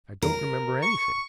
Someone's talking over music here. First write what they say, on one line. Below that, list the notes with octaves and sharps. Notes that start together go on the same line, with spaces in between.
I don't remember anything.
A#4
C#6